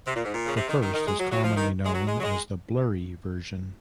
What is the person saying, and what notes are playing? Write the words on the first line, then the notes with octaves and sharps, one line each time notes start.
The first is commonly known as the "blurry" version.
C3
A#2
G#2
A#2
C#3
C3
D#3
D#3
D#3
G#3
F#3
F#3
F3
D#3
G#3
F#3
G#3
F#3
G#3